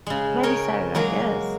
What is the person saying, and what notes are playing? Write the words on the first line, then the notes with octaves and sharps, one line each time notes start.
Maybe so, I guess.
C#3 G#3
A#4 C#5 D#5 G5
F#3 G#3 A#3 F#4 A#5